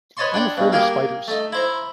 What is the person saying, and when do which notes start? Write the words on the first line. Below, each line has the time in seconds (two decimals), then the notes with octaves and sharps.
I'm afraid of spiders.
0.17 B4 C#5 D#5 A5 C6 C#6
0.34 D4 F#5 G5
0.57 G2 B2
0.72 A#3 G4 G#4 A#4 F5 G5
1.28 A3 D#4
1.52 E4 C5 A#5